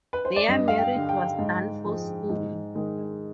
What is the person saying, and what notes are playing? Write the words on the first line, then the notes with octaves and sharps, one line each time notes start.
Their marriage was done forcefully.
B4
C5
D5
G2 D#5
F5
G5
D3 G3
G5
G#2
F3 G#3
G#2
D#3 G#3